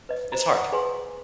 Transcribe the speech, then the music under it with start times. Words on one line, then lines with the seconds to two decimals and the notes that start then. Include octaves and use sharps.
it's hard.
0.09 B4 D#5
0.32 C5 A#5
0.51 F#5
0.72 G#4 B4 G#5 C6